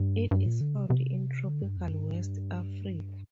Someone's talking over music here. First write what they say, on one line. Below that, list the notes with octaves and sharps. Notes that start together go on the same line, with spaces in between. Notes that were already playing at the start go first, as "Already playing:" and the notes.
It is found in tropical West Africa.
Already playing: G2
G2
A#2
D3
C3
C3
D3
G2
F2
G2
G#2
G2